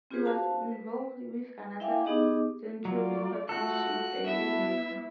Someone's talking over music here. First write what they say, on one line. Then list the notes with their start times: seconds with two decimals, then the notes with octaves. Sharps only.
He was involved with another century partnership a year later.
0.11 C4 F4 G4 G#4 B4 C5
0.26 F#4 C5 F5 A5
0.72 B4
1.80 E4 E5 F5 G5 G#5 D6
2.04 B3 D#4 G4 G#4 D#5 D6
2.85 F#3 F4 D5
3.49 A3 F4 F#4 A4 F#6
4.26 B3 E4 E5